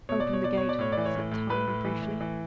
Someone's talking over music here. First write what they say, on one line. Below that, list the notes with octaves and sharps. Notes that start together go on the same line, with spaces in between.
"Open the gate," said Tarling briefly.
B2 C#5
D5
B2
C#5
B2 D5
B2 C#5
D5
A2 C#5
D5
E3
C#5
A2
A2
A2 B4
A2
E3
A2
E3